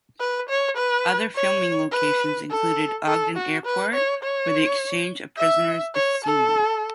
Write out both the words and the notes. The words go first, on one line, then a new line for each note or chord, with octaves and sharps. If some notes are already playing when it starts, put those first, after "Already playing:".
Other filming locations included Ogden Airport where the exchange of prisoners is seen.
B4
C#5
B4
C#5
B4
A4
A4
F#4
B4
C#5
C#5
E5
C#5
A4